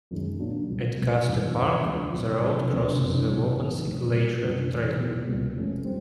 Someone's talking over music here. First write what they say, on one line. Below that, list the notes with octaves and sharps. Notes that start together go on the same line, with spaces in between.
At Custer Park, the route crosses the Wauponsee Glacial Trail.
F#2 D#3 G#3
A#2 F#3 A#3 D4 F#4
C2 B2 G#3
C2 B2 F#3 A3
G#2 E3 G3 A#3 D#4
E2 C#3 F#3
D2 D3 F3 G#3 C4
B1 A2 F#3
C2 C3 F3
D2 C3 F3
F#1 F2 D3
C2 A#2 F#3 B3
G#2 E3 G#3 C4 D#4
F2 C3 E3 A3
A#2 G3 C4 F4
F#2 D3 G3 A#3
E2 C3 E3 A3
B2 F#3 B3 E4 G4
C#2 B2 G3 A#3
G#1 G#2 F3 A3 C#4
G3 C4